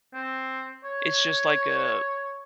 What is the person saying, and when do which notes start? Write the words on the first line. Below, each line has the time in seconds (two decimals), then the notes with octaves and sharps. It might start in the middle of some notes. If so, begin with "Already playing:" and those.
it's just, like, a
0.14 C4
0.84 C#5